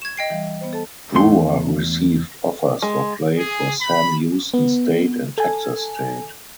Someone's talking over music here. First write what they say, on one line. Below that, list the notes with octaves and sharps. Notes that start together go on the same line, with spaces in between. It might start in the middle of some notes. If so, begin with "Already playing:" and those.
Brewer received offers for play for Sam Houston State and Texas State.
C#6 G#6 E7
D#5 G5 C7
E3 G3 F5
B3 C5
A4 A5
E2 A3 C6
G#3
G#4
B5
B3
A4 G#5